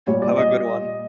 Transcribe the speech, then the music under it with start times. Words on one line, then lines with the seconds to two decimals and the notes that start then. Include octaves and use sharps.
Have a good one.
0.07 A#2 G3 C#5
0.22 D5
0.37 D#5